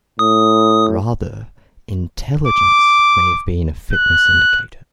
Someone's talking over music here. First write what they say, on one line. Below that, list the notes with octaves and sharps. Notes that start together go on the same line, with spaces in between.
Rather, intelligence may have been a fitness indicator.
A2 D#6
D6
F#6